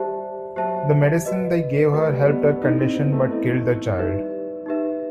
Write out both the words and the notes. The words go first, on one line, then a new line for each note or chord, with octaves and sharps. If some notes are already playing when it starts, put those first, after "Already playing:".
The medicine they gave her helped her condition but killed the child.
Already playing: G3 G4 C5 E5 A5
F#3 G4 C5 E5 A5
F#4 B4 D#5
A3 F#4 B4 D#5
G3
B3
B3
D#4 E4 A4 D#5
C4
B3
A3
E4 A4 D#5
G3 D#4 G4 B4 E5
D#4 G4 B4 E5